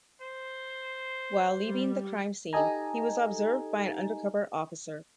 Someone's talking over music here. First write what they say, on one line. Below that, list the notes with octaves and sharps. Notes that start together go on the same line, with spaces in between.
While leaving the crime scene, he was observed by an undercover officer.
C5
G3
D#4 G4 A4 D#5 G#5 A#5